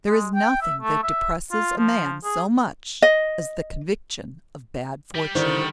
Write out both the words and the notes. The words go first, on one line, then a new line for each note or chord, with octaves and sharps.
There is nothing that depresses a man so much as the conviction of bad fortune.
G#3
G5
E5
A3
E5
F4
F3
G#4
D#5
G3
D3 D#3 E4 C5